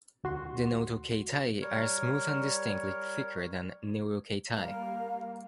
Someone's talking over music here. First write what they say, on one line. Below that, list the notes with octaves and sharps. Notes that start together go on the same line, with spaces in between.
The notochaetae are smooth and distinctly thicker than neurochaetae.
D2 F#4 C6
G3 A#4 C#5
G3 A#3 A#4 F5